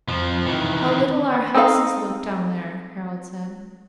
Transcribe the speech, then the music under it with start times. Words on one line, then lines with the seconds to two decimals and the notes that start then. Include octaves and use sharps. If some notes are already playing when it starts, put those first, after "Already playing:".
"How little our houses look down there!" Harald said.
0.08 F2 F3
0.46 D#3 E3
1.54 C4 D#4 A4 A#4 F5